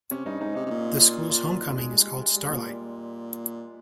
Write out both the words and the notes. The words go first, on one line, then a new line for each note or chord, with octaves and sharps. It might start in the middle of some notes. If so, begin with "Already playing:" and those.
The school's Homecoming is called Starlight.
C3 C#4
G2 D#4
G#2 D#4
C3 D#4
C3
A#2
F4
F4
F4
D#4
G#3
G3
G3
G#3
G3
A#2